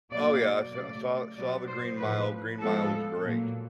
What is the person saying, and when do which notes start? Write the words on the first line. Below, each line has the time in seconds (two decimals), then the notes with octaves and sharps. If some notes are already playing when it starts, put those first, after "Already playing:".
Oh, yeah, I s I saw saw The Green Mile, Green Mile is great.
0.11 B2 F#3 A#3 D5
0.73 C#3 F#3 A3 D5
1.36 B2 F#3 B3 D5
1.67 C5
1.99 A2 F3 A3 B4
2.62 A2 F3 G#3 B3 A4
3.24 A#2 F#3 A#3